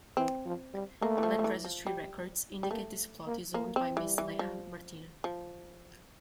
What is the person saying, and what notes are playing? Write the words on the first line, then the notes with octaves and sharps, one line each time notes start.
Land registry records indicate this plot is owned by Miss Leah Martina.
E3 C4
F3
G3
A3 A#3
E3
F3
F3
E3
F3
G3
G3
A3 A#3
A#3
A3 A#3
C4
E3 G3
E3
F3
F3